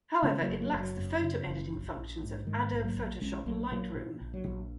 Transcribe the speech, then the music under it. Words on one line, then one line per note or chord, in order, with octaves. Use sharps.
However, it lacks the photo editing functions of Adobe Photoshop Lightroom.
C#3 G#3 C#4
F#3 A#3
F#1
F#3 A#3
F#1
F#3
F#2
C#3
F#1
A#1
A#1
G#2
G#2 D#3 G#3
A#1
F#3 A#3
A#1
A#1 G#3 C#4
A#1 F#3 A#3
A#2 F#3 A#3
A#2
A#1
F#3
A#1